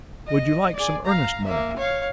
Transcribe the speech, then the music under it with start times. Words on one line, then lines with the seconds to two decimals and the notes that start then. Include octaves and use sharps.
"Would you like some earnest-money?"
0.27 D#5
0.75 G#4 D5
1.06 F5 A#5
1.44 A#3 E5
1.77 C#5 F5